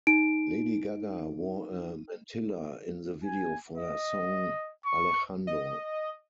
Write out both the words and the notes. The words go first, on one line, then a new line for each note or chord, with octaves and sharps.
Lady Gaga wore a mantilla in the video for her song, "Alejandro".
D#4 D7
G#5
D#5
C#6
D#5